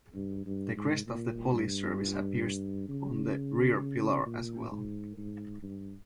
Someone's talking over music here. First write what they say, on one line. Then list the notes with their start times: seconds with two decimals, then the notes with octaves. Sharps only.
The crest of the police service appears on the rear pillar as well.
0.15 G2
0.46 G2
0.76 G#2
1.07 A#2
1.52 G2
2.89 C#3
3.80 C#3
4.26 A#2
4.71 G#2
5.18 G#2
5.63 G2